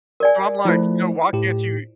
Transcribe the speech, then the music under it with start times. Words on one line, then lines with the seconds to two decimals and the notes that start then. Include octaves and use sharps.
So I'm like, you know, why can't you
0.20 A#4 D5 G#5
0.65 F3 A3 E4 F4 C5
1.33 A2 G4